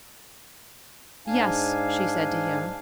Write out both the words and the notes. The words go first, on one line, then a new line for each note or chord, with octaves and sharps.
"Yes," she said to him.
G#2 D4 F5 G#5